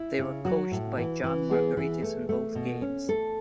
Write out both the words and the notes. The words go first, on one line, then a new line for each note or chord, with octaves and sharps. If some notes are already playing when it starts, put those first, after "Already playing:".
They were coached by John Margaritis in both games.
Already playing: E4
C#3
F#3 F#4
A2
E3
E3
B3 G#4
E3
A3
A3
B2
C#4
A3 A4